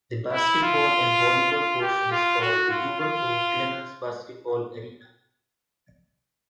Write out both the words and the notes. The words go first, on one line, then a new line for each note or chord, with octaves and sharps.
The basketball and volleyball portion is called the Hubert O. Clemmons Basketball Arena.
E4
F4
F4
G4
F4
F#4
F4
F4